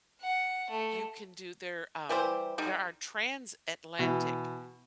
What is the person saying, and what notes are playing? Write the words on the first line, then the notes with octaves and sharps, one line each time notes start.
you can do their, um there are transatlantic
F#5
A3
E3 G3 G4 C5
D3 G3 D#4
B2 E3